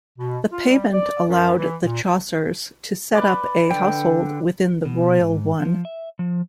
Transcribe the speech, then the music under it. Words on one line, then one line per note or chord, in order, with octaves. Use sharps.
This payment allowed the Chaucers to set up a household within the royal one.
B2
F4
G3
D5
F#2
E3
A#2
B4 D5
D3 G5
B2
G#2
F3
E5
F3